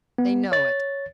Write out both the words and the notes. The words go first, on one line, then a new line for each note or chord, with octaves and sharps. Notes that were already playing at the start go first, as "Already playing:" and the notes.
They know it.
B3
C#5 A6